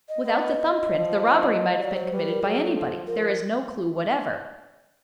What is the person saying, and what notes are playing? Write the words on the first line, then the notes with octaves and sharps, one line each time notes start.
Without the thumb-print, the robbery might have been committed by anybody; there is no clue whatever.
D#5
B3 D#5
D#5
F3
F#3 D5
C5
G3 B4
A#4
F#3 G#4
A4
F3
F3 A#4